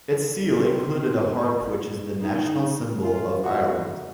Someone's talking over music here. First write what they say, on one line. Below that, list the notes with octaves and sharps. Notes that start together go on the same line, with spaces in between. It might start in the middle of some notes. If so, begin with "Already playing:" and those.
Its seal included a harp which is the national symbol of Ireland.
C4
D#4
F4
F#4